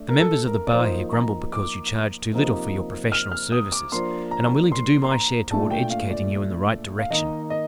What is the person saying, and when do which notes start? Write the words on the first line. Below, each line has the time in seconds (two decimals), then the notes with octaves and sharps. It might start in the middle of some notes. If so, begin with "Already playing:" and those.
The members of the bar here grumble because you charge too little for your professional services, and I'm willing to do my share toward educating you in the right direction.'
Already playing: A3 D4
0.09 A#4
0.19 A4
0.46 A#4
0.67 D5
0.73 F3 A#3 D#4 C5
1.13 A#5
1.53 D6
2.32 C3 F3 A#3 D#4
3.12 F6
3.32 F6
3.52 D#6
3.72 D6
3.92 F3 A#3 D4 C6
4.31 A#5
4.72 C6
5.04 C6
5.11 A#5
5.51 A#2 A3 D4 A5
5.71 G5
5.90 F5
6.10 D5
6.99 F5
7.10 D#3 A#3 D#4 D#5
7.50 D#5